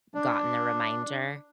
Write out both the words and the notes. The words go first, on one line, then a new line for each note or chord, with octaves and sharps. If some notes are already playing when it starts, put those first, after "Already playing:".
gotten the reminder
D4